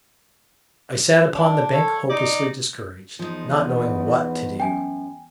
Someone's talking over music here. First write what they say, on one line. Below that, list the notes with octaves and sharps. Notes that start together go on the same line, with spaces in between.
I sat upon the bank hopelessly discouraged, not knowing what to do.
D4
A4 C#5
D#4 D5
E2 F3 G#3 D#4
B3
F#2 G5 G#5